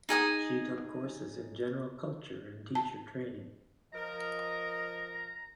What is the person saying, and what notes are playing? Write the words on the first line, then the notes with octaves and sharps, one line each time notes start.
She took courses in general culture and teacher training.
D#4 G#4 G#5 D#6
A5
F3 A#4 D#5 A#5